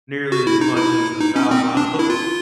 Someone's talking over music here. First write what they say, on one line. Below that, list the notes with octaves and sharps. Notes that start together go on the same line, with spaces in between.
nearly as much as the foul-mouthed
F#4
E4
D#4
E4
D#4
C#4
C4
D4
E4
F4